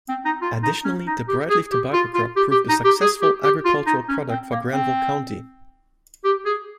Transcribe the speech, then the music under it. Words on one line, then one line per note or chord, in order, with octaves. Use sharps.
Additionally, the bright leaf tobacco crop proved a successful agricultural product for Granville County.
C4
D#4
F4
D#4
C#4
D#4
G4
G#4
G4
F4
F4
G4
G4
D#4
G4
G#4
G4
G4
F4
D#4
C#4
C4
A#3
C4
G4
G#4